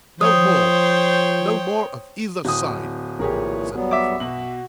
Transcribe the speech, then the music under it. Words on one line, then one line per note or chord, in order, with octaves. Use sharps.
No more!--No more of either side, said my father.
F3 C5 C#5 G5 D#6
D1 D#6
A#1 A#2 E3 G4 G#4 A#4 C#5
F#3 G3 B3
E5 D6
B2 F#4 F#7